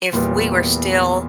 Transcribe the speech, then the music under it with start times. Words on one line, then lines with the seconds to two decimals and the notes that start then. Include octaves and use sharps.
if we were still
0.13 E2 A#2 G3 B3